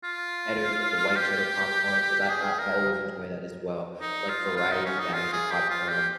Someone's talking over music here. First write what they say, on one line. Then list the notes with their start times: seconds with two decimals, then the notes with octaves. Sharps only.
cheddars, like, the white cheddar popcorn? 'Cause I I I always enjoy that as well, like, variety bags of popcorn,
0.04 F4
1.16 G4
2.30 G#4
2.59 A#4
4.01 D#4
4.29 F4
4.56 F4
4.71 D#4
4.86 C#4
4.99 D#4
5.13 F4
5.33 G#4
5.52 G4
5.70 F4
5.89 G4